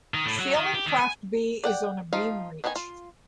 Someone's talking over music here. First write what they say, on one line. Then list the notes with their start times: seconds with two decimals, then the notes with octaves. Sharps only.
Sailing craft B is on a beam reach.
0.14 D#3
0.26 A2
0.39 F#3
0.56 D#3
0.74 G4
0.86 D#3
0.99 G#5
1.64 D5 F#5 G5
2.13 F3 D#4 F4 F5
2.64 D#3 B3 D4 D#4 G#5
2.76 F4